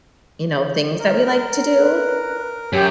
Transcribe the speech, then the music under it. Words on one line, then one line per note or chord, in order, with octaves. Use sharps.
you know, things that we like to do,
A#4
B4
F#2 G4